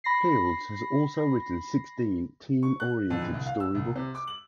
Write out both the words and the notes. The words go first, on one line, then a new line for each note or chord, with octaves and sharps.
Fields has also written sixteen teen-oriented story books.
B5 A#6 C7
C#6
F#6
F2
A#1
C2
F5
E6
C2
C3
D6
F#7